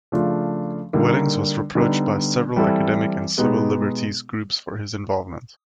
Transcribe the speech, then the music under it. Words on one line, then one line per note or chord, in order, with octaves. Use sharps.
Wellings was reproached by several academic and civil liberties groups for his involvement.
C#3 F3 A3 D4 F4
D3 G3 A#3 D#4
D3 G3 B3 D#4
E3 G3 C4 E4 A4
B2 G#3 B3 D#4 G4